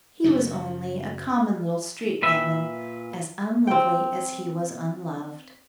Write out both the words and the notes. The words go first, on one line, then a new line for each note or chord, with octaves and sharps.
He was only a common little street gamin, as unlovely as he was unloved.
F#2 C#3 F#3
A#2 B4 E5
C4 G5